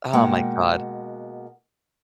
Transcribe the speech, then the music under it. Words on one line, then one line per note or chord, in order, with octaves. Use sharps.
oh, my god.
B2 G#3 A#3 F#5 G5